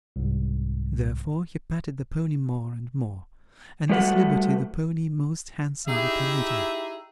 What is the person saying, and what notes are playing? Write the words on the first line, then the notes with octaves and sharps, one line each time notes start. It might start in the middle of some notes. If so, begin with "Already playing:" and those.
Therefore he patted the pony more and more; and this liberty the pony most handsomely permitted.
C2 G#2
G3 A3 F#4 B4 F#5
D#4 E4 G4 G#4 D#5 E5